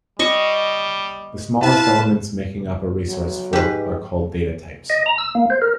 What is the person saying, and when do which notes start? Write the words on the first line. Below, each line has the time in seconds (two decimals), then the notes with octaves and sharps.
The smallest elements making up a resource fork are called data types.
0.19 G3 D#5 C#6
1.62 E4 F4 B4 A5
3.09 F#3
3.53 G#2 G4 B4
4.90 D#5
5.06 A#5
5.18 E6
5.35 A#3
5.50 C5
5.62 A#4